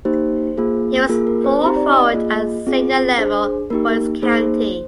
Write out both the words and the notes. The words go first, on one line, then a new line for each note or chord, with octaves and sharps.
He was full forward at senior level for his county.
A#3 D#4 G4 C5
A#3 F4 G#4
A#3 F4 G#4 A#4
A#4
C5
C4 D#4 G4 A#5
D5
D#5
A#3 F4 G#4
C4 F4 G#4
D4 G#4 C5
A#3 D#4 G4 A#4
A#3 D#4 G#4 C5